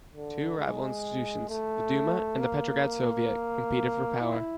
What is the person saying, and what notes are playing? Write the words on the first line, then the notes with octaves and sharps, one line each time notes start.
Two rival institutions, the Duma and the Petrograd Soviet, competed for power.
D3
G#3
A3
A#3
E4